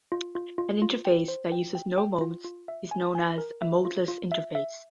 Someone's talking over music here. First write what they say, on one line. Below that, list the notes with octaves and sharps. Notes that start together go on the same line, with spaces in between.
An interface that uses no modes is known as a modeless interface.
F4
F4
F4
F4
G5
C5
G5
G5
G5
F4
F4
E5
G#5
G#5
A#4
E5
F4
F4
E5
E5